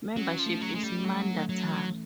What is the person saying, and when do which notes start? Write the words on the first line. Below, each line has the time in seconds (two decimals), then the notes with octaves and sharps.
Membership is mandatory.
0.16 F#3 C#4
0.39 F3
0.46 A3
0.62 F#3
0.75 G#3 A3
0.83 G3
1.05 F#3 A3
1.34 A3
1.49 F#3
1.64 E3